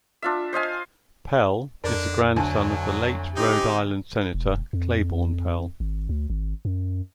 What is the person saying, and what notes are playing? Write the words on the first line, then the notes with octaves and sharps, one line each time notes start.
Pell is the grandson of the late Rhode Island Senator Claiborne Pell.
D4 F4 E5
C5 D#5 F5 G#5
F2 D3 D#3 D4 A#4
D2 D3 F#3 G#5 A5
G#3 C4 D#4 G4
E1
F2
G#1
D2
G#1
F#2